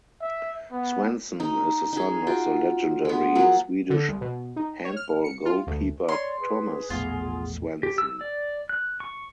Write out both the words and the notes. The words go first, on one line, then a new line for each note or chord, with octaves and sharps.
Svensson is the son of the legendary Swedish handball goalkeeper Tomas Svensson.
E5
B3
D#4
D#4 G#4
F4 F#4 G5
G#3 B3
F3 F#3 A#3 F#5
D3
C2
B2
D#4
C#5
F6
C#7
F4
D2
C#5 D5 C6
G#4 B4
E1 A#1 A2 B3 F4
G4
E6
D5
F#6
C#6